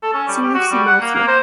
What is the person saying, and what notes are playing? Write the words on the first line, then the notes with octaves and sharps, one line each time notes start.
She lives in Oslo.
A4
C#4
G3
G4
F#4
G3
F#5
A#3
A#3
C5